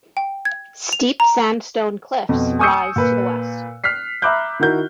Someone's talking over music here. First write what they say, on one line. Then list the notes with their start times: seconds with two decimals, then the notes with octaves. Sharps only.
Steep sandstone cliffs rise to the west.
0.17 G5
0.45 G#6
0.93 F7
1.20 A#5
2.29 F2 B2
2.59 G#5 C#6 D#6 E6 G6 C#7
2.96 A#2 B4
3.84 F6 F#6 B6 C7
4.22 E5 A#5 B5 D6 F#6 G6
4.59 D#3 E4 F#4 A#4 G6